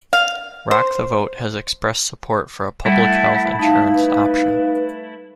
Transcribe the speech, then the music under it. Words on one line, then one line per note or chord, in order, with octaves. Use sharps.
Rock the Vote has expressed support for a public health insurance option.
F5
C5
G3 A3 E4 F#5
D#4 F5 A5
B4